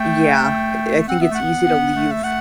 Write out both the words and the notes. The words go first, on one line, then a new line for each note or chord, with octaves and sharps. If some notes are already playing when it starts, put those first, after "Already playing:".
Yeah, eh I think it's easy to leave
Already playing: A3 G5
C4 F#5
B3 E5
A3 F#5
B3
B3
A3
E5
A3 F#5